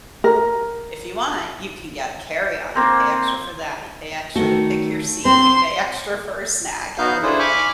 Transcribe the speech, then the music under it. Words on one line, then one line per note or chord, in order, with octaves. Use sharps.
if you want, you can get a carry-on, you pay extra for that, you pay extra to pick your seat, you pay extra for a snack, everything.
A#4
A#3 C4
D#3 A3 F#4
C4 C6
B3 D#4 F#4 F5 G6
D4 E4 G#4 A4 C5
G#5 B5 C#6 D6 F6